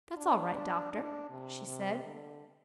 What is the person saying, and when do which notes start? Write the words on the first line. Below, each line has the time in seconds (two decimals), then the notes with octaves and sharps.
"That's all right, Doctor," she said.
0.18 D4
0.92 D4
1.30 C3
1.67 C3
2.04 D3